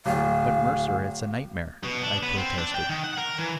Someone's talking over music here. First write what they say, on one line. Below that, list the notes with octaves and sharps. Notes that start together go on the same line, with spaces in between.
"But, Mercer, it's a nightmare!" I protested.
D1 F5
B2
D4
B3
C4
D4
G5
D#3
F#5
A#4
E3